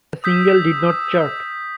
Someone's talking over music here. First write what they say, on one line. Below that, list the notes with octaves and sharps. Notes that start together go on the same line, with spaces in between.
The single did not chart.
D#6 E6 G6 B6